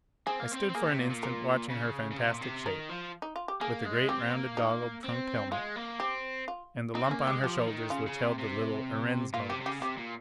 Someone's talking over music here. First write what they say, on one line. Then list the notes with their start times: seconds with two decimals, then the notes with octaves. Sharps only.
I stood for an instant watching her fantastic shape, with the great rounded, goggled, trunked helmet and the lump on her shoulders which held the little Erentz motors.
0.27 C4 G#4
0.39 A#3
0.52 C4
0.69 C4
0.75 A#3 G#4
0.87 C3
0.98 A#2
1.10 A#2
1.23 A#4
1.70 C#3
2.11 C#3
2.18 C3
2.33 A#2
2.41 C3
2.66 D#3 A#4
2.89 F3
3.22 D#4
3.36 F4
3.48 G4
3.61 A#3 G#4
3.85 G#3
4.09 C4 G4
4.33 A#3
4.57 D#4
5.04 C4
5.52 G#3 F4
5.76 A#3
6.00 C4 G4
6.48 F4
6.95 C4 D#4
7.11 A#3 C#4
7.27 G#3 G4
7.43 F3 G4
7.68 D#3
7.90 C#3 F4
8.07 C#3
8.23 C3
8.39 C3
9.34 A#2 F4
9.50 C3 G4
9.61 C3
9.66 C#3 G4
9.81 C3 G4
9.97 A#2